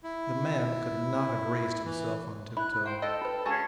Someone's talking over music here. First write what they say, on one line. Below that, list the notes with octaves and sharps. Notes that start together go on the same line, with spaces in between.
The man could not have raised himself on tiptoe.
E4
E3
E4 B5 F#6
C5 F5 G5
A4 D#5 F5
F4 B4
G#3 C#4 F#4 G#4 F5 G#5 A5